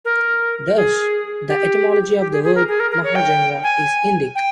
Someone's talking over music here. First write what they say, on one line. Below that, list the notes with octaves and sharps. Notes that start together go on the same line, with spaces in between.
Thus, the etymology of the word "Mahajanga" is Indic.
A#4
G#4
G4
G4
G#4
G#4
A#4
G#4
A#4
A#4
C#5
G5
G#5
G5